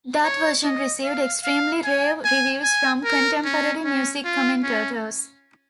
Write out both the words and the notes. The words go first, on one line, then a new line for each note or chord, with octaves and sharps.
That version received extremely rave reviews from contemporary music commentators.
C#5
D#5
F5
F5
G#5
G#5
G#5
A#4
C#4
C#4
F4
C#4